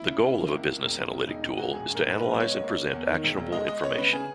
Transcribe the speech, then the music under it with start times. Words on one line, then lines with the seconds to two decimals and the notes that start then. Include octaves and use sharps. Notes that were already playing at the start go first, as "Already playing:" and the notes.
The goal of a business analytic tool is to analyze and present actionable information.
Already playing: E4
0.09 C#3
0.23 C#3
0.38 A#3
0.53 C#2
0.68 A#3
0.84 E1
0.98 E1
1.13 C#3
1.28 E1 D#4
1.43 C#3
1.58 E1 F#4
1.73 A#1 G#4
1.88 A#1
1.95 A#4
2.04 G#2
2.18 B2 B4
2.33 B1
2.41 C#5
2.47 G#3
2.64 A#3
2.77 A#3
2.93 E2
3.09 D#3
3.24 E1
3.37 E1
3.52 G#3 D#5
3.68 G#3 D#5
3.83 B3 C#5
3.98 C#3 B4
4.13 C#3 G#4